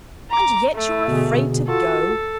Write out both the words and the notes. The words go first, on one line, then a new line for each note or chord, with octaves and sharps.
'And yet you're afraid to go!
A#5 D6
A3
B2 D3 G#4
F4 F#4 A4